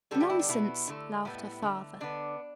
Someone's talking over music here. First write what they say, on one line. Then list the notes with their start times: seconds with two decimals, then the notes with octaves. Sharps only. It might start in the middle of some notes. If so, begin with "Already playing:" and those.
"Nonsense," laughed her father.
0.11 D3 G3 B3 A4
0.20 G4
0.30 E4
0.39 D4
0.49 B2 B3 E4
0.87 D3 A3
1.25 A2 G3 B3 E4
1.62 D3 A3
2.00 D3 B3 D4